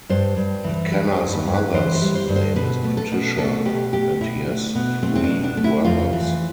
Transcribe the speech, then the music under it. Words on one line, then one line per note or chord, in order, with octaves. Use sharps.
McKenna's mother's name is Patricia, and he has three brothers.
G2 C5
G2
E3
G3 B4
C5
G2
B4
G2
B4
E3 C5
C5
G3
C5
G2
C5
B2 B4
A3
A4
B2
A3 A4
B2 G4
A3 G4
B2 E4
A3 D4
B2 B3
A3 C4
C4
D4
B2
D4
A3
E4
F2 F4
E3